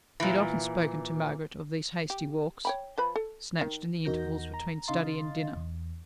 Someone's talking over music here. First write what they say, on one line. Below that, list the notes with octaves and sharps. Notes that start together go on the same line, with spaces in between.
He had often spoken to Margaret of these hasty walks, snatched in the intervals between study and dinner.
A#2 E3
G4
C#5 G5 B5
F3 B4 B5
A4
D#3
E2 D#4 F#4 A#4 G6 A#6
A#5
C#3 D#4 D#5 F5 C6 A6
E2